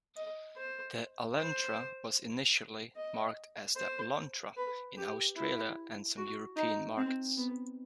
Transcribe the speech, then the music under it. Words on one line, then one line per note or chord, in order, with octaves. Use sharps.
The Elantra was initially marketed as the "Lantra" in Australia and some European markets.
D#5
C5
C5
D#5
C5
B4
G4
E4
F#4
D#4
C4
B3